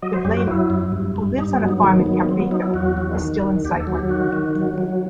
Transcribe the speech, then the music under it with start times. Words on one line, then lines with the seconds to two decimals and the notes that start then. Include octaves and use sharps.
De Vlaeminck, who lives on a farm in Kaprijke, is still in cycling.
0.02 F#3 D#5
0.13 C5
0.25 F#2 G4
0.37 F#4
0.47 F#3 E4
0.70 F#2
0.92 G2
1.16 G2
1.38 G2 D#4
1.53 B3
1.61 F#3
1.68 D#4
1.83 D#3 A3
1.99 B3
2.06 F#3
2.14 B3
2.29 F#3 C4
2.40 B3
2.51 F#3 D#4
2.62 E4
2.74 E2 F#4
2.97 E2
3.19 D#3
3.41 D#3
3.65 D#2 G4
3.80 A4
3.87 F#3
3.95 G4
4.09 D#3 F#4
4.33 D#3
4.55 F#3
4.78 F#3